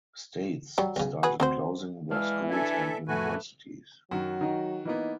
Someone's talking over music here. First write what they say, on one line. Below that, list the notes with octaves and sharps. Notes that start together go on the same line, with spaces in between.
States started closing their schools and universities.
F#3 G3
B1 C#3
F#4 G#4 B4
D2 C4 F#4 C5
E3 G#3 D5 F5 A5
D4 A4 E5 G#5
F2 A2 A3 F#4 B4 G#5
F#2 D#3 F#3 F#4
D#3 D#4
E3 A#3 B3 D#4